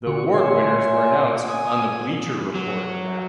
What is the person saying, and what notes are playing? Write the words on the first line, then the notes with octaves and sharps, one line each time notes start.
The award winners were announced on the Bleacher Report app.
D3 F#4 C#6
C#5 E5 G#5 C6
G#5 D#6
F#3